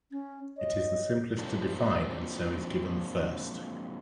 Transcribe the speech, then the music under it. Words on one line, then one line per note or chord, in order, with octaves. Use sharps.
It is the simplest to define, and so is given first.
C#4
C#5 D#5
F3 F#3 G#3 A#3 C4 D4